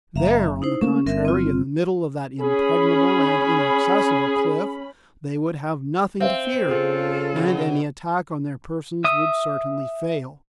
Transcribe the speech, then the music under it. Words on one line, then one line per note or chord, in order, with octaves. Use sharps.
There, on the contrary, in the middle of that impregnable and inaccessible cliff, they would have nothing to fear, and any attack on their persons would certainly fail.
F#1 E5 F5 A#5
D#4 E4 C5
A3 A#3 C#4
G1 C4 A#4 E5
C4 F4
C#4 G#4 B5
C4 C5 E5 F5
C#3 F4 G#4 A4
B2
E5 D#6